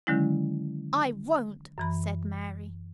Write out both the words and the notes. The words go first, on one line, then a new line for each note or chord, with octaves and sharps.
"I won't!" said Mary.
D3 D#3 F#3 G#3 C#4 E4
F#2 E3 B5